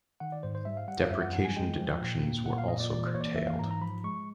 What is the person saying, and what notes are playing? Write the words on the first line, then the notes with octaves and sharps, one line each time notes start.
Depreciation deductions were also curtailed.
D#3 F#5
D5
G#2 C5
C5
G3 E5
F5
G3 F#5
F5
F#2 E5
F#5
F3 F#5
G#5
G#3 G5
F3
A#2
A#3
A#2 F#5
F5
A#2 D#5
D5
E3 D5
C5
A#3 C#5
D5
E3 E5
F5
G#2 A#5
A#5
F3 B5
G#3 C#6